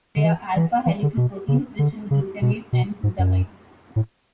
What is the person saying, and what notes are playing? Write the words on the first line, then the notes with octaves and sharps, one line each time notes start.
They are alpha helical proteins rich in glutamate and glutamine.
D3
E3
E3
E3
D3
B2
C#3
D3
C#3
B2
B2
G#2
F#2
A2